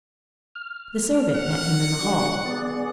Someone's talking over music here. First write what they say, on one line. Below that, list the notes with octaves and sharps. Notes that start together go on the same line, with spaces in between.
The servant met him in the hall.
F6
F#5
D4 F#4 C#6
B3 G#4 D5